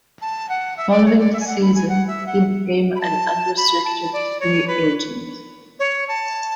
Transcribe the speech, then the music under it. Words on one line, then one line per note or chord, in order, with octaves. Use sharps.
Following the season, he became an unrestricted free agent.
A5
F#5
E5
D5
C#5
D5
E5
G#5
F#5
B5
G#5
F#5
E5
F#5
B5
A5
B5
A5
D5
C#5
B4
C#5
A5